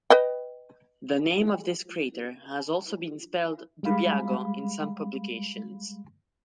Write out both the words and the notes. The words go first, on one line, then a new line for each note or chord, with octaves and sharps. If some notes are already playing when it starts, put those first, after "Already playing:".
The name of this crater has also been spelled "Dubiago" in some publications.
B4 D#5 G5
G3 G#3 F5 B5